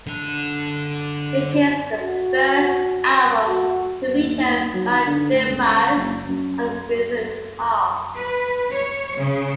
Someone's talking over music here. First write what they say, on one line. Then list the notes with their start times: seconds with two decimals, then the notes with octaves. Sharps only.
It is the first album to feature Matt DeVries on rhythm guitar.
0.07 D3 A5
1.98 F#4
3.48 F#4
4.15 D#2
4.74 F#3
4.89 D#3
5.05 D3
5.32 A2
5.49 C#2
5.94 F#1
6.28 F#2
8.15 B4
8.72 C#5
9.19 C#3